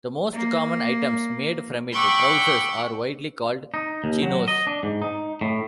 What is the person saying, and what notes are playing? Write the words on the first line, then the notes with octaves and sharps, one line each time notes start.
The most common items made from it, trousers, are widely called "chinos".
A#3
F#5 G5 B5 C#6 D6 E6
D#4
D#2
F#3
D#5
D4
G#2
D#4
A2